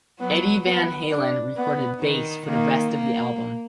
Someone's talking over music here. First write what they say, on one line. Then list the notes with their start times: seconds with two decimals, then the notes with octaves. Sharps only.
Eddie Van Halen recorded bass for the rest of the album.
0.21 F#3 B3
0.65 B3
1.11 D4
1.57 B3
2.01 D#3
2.47 D#3 A#3
2.93 A#3